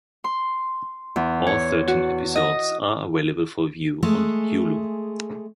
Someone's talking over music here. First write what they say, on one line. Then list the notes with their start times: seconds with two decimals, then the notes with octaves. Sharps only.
All thirteen episodes are available for view on Hulu.
0.24 C6
1.16 E2
1.47 C#5
1.88 F#4
2.36 D#5
4.03 G#3 A3 G#4